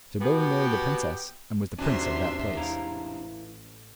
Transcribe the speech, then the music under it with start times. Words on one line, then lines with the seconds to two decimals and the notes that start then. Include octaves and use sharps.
So Billy married the princess, and was the prince of that place.
0.20 B2 B3 G4
1.78 E2 G#2 C3 C#4 D4 F#4 E5 C6
2.57 A1 E4 F5 A#5